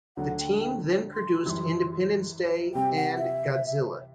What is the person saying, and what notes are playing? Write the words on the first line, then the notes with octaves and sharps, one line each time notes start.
The team then produced "Independence Day" and "Godzilla".
D2 D3 F#3 A3 D4 F#5
G5
G5
C6
F#2 E3 G3 C6 E6
C3 G3 C4 G4 G5
F#5
E5